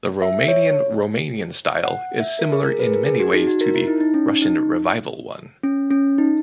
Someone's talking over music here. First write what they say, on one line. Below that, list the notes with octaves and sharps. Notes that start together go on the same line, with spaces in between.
The Romanian Romanian style is similar in many ways to the Russian Revival one.
E5
C#5
F#5
E5
A#4
G#4
A#4
B4
G#4
A#4
G#4
F#4
D#4
F#4
A#4
E4
D#4
D#4
C#4
D#4
C#4
C#4
D#4